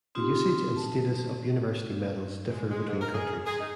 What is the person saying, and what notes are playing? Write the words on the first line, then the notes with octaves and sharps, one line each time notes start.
The usage and status of university medals differ between countries.
C4 D#4 F4 G4
A5
G#3
G#3
G#2
A#4
G#4
G#4
D#4